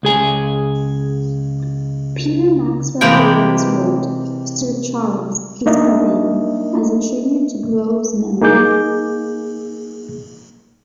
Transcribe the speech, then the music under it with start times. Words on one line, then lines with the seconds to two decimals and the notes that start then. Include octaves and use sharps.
Peter Maxwell Davies wrote "Sir Charles: his Pavane" as a tribute to Groves's memory.
0.03 C#2 G#4 G#5
3.01 C3 E3 G#3 A#3 G4 G5
5.66 A#3 D4 D#4 A#4 D#5 E5
8.41 A#3 D#4 G#4 D6 G6